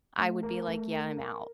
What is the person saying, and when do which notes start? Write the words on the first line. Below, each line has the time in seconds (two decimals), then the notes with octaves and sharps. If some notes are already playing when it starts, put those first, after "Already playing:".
I would be like, "Yeah. I'm out."
0.18 A3
0.43 A#4
0.68 A3
0.92 A#4
1.17 A#4